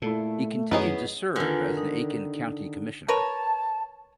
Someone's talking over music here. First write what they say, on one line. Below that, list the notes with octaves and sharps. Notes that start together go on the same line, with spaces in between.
He continued to serve as an Aiken County commissioner.
A#2 A3 E4 A4
F#2 D#3 B3 D#4 E4 G#4 C#5
D3 D#3 F4 B4 G#5
D#4
A#4 B4 C#5 A5